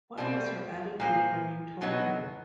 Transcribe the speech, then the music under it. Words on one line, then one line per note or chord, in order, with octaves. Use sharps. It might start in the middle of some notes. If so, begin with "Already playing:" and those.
What was her attitude when you told her?
B2 G3 C4
A#2 F3 A#3
B2 F#3 B3 D#4